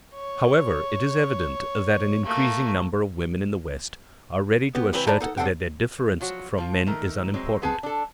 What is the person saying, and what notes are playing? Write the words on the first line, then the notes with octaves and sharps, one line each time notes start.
However, it is evident that an increasing number of women in the West are ready to assert that their difference from men is unimportant.
C#5
A3 A#3
B3 G4
C#2 E3 F#3 C4 G4 B4
E4 D5 A5 A#5
D#4 A4 F#5
F#2 C4 D4 A4 F#5 G5
F3 F#3 F#4
F3 F4
D#3 A3 A#4
F#3 G#3 C4
B3 C4 G#4 B4 G#5 A5
D4 A4